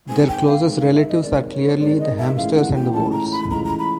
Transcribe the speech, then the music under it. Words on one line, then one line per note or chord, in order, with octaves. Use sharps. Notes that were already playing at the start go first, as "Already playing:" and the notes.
Their closest relatives are clearly the hamsters and voles.
D#3 G#3 C4 G#5
G5
F5
D#3 G#3 C4
F5
E5
D#5
D#3 G#3 C4 D5
C#5
D#3 G#3 C4 D5
D#5
E5
A2 E3 G#3 C#4 F4 F5
F#5
G5
A2 E3 G#3 C#4 F4 A5
A#5
B5
A2 E3 G#3 C#4 F4 A#5
A#5
B5